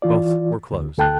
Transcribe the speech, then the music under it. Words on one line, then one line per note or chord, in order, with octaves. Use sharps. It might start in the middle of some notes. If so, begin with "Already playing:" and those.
Both were closed.
E3 F4 D5
D2
D2 A4 G5 A5 F#6